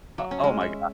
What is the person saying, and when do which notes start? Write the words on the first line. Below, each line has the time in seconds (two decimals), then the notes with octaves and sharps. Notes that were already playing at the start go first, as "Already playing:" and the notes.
O oh my God.
0.18 F#3
0.31 C#4
0.44 G#3
0.61 E5